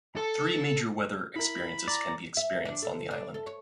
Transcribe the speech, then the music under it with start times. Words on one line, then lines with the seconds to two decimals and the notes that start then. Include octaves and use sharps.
Three major weather experiences can be experienced on the island.
0.17 A4
1.36 E4 A#4 B5
1.88 D5 A#5
2.37 E5
2.65 D4
2.82 A4
3.11 D4
3.34 A4
3.46 C#5